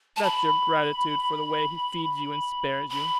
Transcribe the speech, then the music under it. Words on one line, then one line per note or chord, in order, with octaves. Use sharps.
That's your gratitude for the way he feeds you and spares you!
A5
B5
B5